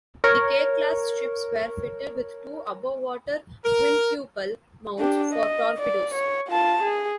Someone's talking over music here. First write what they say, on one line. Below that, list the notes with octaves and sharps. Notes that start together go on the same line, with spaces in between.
The K-class ships were fitted with two above-water quintuple mounts for torpedoes.
A#4 C#5
A#4
D4 G4
D#5
D5
C#5
F4 A5
G#4